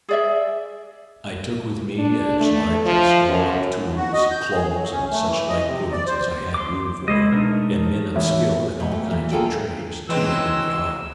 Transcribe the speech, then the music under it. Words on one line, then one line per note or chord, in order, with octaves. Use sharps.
I took with me as large a store of tools, clothes, and such like goods as I had room for, and men of skill in all kinds of trades, to live in the isle.
G#4 D5 E5
D4
A3
F3
F#2
F#4
D#5
G6
G#4
F#3
C#4
A3
E3
D#5
C3
D5
C5
C6 D6
G#3 E4 C5 D#5
B2 A3 D4 D#4 A#4
E2 G#2 F#4 C#5 E5
G#2 B2
A3 G4
A#2 E3
A#3 F4 G#4 A4 D5 G5
E3 F#3 G#3 C4 E6